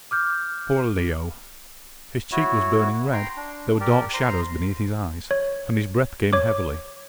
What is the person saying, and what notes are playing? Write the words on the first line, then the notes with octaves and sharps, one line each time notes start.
Poor Leo! his cheek was burning red, there were dark shadows beneath his eyes, and his breath came heavily.
D6 F6 G6
E4 F#4 C#5
G5 A#5 C6
D4
G4 A#4 D5
C5 A#5 C6
C#5
C#5 D6